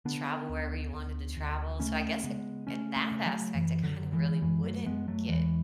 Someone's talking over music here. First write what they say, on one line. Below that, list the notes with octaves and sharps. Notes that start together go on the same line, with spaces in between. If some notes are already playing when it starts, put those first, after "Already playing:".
travel wherever you wanted to travel, so, I guess i in that aspect it kinda really wouldn't get
D3 B3 D4
D2
D2
D2
C#3 A3 C#4
C#3 G#3 B3
C#3 A3 C#4
A3 C#4
C#3
F#3 A3
F#2 E3
D3 F#3
D3
E3 G#3
F#2 E3 G#3
F#3 A3
F#2 G#3 B3
F#3 A3
E2 E3 G#3